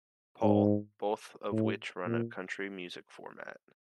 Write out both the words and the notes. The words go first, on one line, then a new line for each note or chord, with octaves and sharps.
Paul, both of which run a country music format.
G#2
A2
A#2